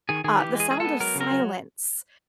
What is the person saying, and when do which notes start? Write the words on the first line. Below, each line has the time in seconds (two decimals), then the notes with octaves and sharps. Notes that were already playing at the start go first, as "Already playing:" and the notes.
uh, The Sound of Silence.
0.09 D#3 G#4
0.24 D#3 G#4
0.39 E3 G4
0.55 G#3 G#4
0.70 G#3 G#4
0.80 B3 A4
1.00 F#3 A#4
1.15 C#3
1.21 A#4
1.31 F#3